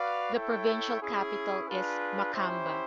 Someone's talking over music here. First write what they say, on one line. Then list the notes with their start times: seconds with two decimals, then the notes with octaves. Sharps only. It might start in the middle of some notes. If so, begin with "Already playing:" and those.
The provincial capital is Makamba.
Already playing: F#4 B4 D5 F5
0.33 E4 A4 C#5 E5 G5
1.01 C#4 E4 G#4
1.67 D4 F4 G#4 B4
2.34 C#4 E4 G4 C5 E5